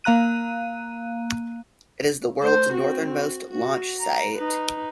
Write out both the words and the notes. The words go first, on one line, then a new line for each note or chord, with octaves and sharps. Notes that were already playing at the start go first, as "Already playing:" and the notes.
It is the world's northernmost launch site.
A#3 F5 A#5 F#6 D#7
A3 C5
C4 F#4
F#4
F#4
A#5
D#4 B4